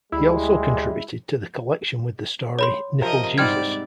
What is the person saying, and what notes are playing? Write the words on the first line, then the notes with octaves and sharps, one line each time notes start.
He also contributed to the collection with the story "NippleJesus".
D2 G3 G#3 E4
C#5 B5 C6
C3 F3 A#4 D#5
G#2 G3 C4 D5 G5 F6 G#6